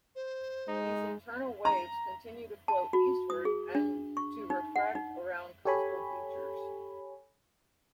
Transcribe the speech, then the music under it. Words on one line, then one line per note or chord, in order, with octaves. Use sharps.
These "internal waves" continue to flow eastward and to refract around coastal features.
C5
G#3 D#4
A#5
A5
F#4
D#6
G#4
D4
C#6
D#4
F#5
D#4
G4 A4 C#5 G#5 B5